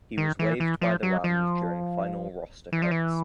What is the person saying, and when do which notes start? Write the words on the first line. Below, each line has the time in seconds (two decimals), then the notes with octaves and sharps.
He was waived by the Rams during final roster cuts.
0.18 D#3
0.39 E3
0.60 E3
0.81 F3
1.03 F#3
1.24 F3
2.72 E3
2.82 F3
2.91 E3